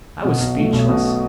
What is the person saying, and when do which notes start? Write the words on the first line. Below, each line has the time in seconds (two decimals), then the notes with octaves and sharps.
I was speechless.
0.24 B2
0.40 B1
0.57 A3
0.73 B1
0.89 B2